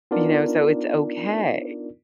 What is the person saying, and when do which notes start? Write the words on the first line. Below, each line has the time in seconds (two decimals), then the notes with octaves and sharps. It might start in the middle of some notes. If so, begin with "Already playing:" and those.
You know, so it's okay.
0.11 B3 D4 D#4 F4 A#4 D5